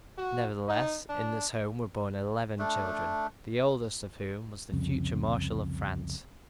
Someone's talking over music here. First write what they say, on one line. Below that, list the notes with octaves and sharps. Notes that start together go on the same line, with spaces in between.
Nevertheless in this home were born eleven children, the oldest of whom was the future Marshal of France.
F#4
D#4
D4
A3 D4
C2 F2 C#3